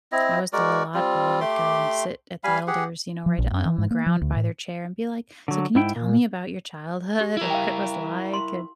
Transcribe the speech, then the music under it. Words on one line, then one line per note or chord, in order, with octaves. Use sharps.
I was the little oddball who'd go and sit at the elders, you know, right o on the ground by their chair and be like, "So can you tell me about your childhood and what it was like?" And
C4 E4 D#5
G#3 F#4 A#4 D5
G3 C4 F4
A3 G4 C6 D6
G3 F5 G#5 B5
G4 G#4 F#5
F3
A#1
F#2
E3
G#2
A#3
F3
D2
A2
D3 F#3
G#2 E4 G5
A#2
G4
E4 A#4
F5 G5
C6